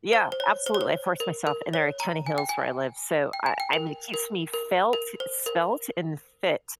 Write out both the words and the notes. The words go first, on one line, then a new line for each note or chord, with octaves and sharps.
Yeah, absolutely, I force myself, and there are a ton of hills where I live, so, I I mean, it keeps me felt, svelte, and fit,
C5
C5
C#5
C5
C#5
C5
A#4
A#4
C#5
A#5
G#5
G5
G#5
G5
G#5
G5
A#4
A#4
A#4
A#4
C5
A#4